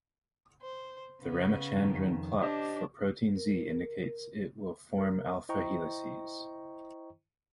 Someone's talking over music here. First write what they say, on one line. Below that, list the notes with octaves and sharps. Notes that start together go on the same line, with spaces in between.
The Ramachandran plot for protein Z indicates it will form alpha helices.
C5
C#3 B3
F2 D#3
D4 G4 C5 D#5
A#4
A#4
E4 C5 D#5 G5 A#5 C#6